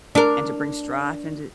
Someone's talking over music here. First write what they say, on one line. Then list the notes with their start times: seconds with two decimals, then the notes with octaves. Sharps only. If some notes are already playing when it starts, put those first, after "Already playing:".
and to bring strife into
0.15 D4 A#4